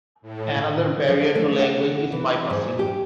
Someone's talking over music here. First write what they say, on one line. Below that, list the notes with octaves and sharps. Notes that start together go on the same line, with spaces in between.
Another barrier to language is bypassing.
A2
F3
A3
F#5
E3
G#2
G4